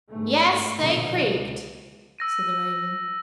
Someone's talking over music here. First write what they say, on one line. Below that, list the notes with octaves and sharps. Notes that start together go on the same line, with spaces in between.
"Yes, they creaked," said the Raven.
G1 G#2 A3
A#1 B2 D3 F3
C#2
E6 A#6 D#7